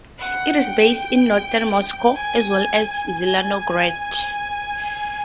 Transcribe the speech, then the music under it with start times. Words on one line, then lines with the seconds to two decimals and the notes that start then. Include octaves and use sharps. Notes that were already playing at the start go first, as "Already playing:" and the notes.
It is based in Northern Moscow as well as Zelenograd.
0.19 F#5
0.58 G5
2.15 G#5
2.93 G#5